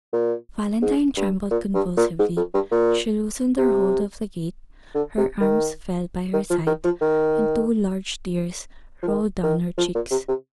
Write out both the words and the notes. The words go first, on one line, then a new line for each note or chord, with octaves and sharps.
Valentine trembled convulsively; she loosened her hold of the gate, her arms fell by her side, and two large tears rolled down her cheeks.
A#2
G#2
G2
A#2
G2
A#2
G#2
F2
G2
A#2
C3
D3
C3
D#3
D#3
F3
D#3
F3
D#3
F3
D#3
D#3
F3
A#2
C3
C3